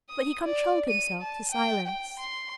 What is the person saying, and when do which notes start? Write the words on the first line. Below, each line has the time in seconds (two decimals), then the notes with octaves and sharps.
But he controlled himself to silence.
0.10 D#6
0.45 D5
0.89 D#7
1.22 A5
1.52 G5
1.87 G5
2.19 C6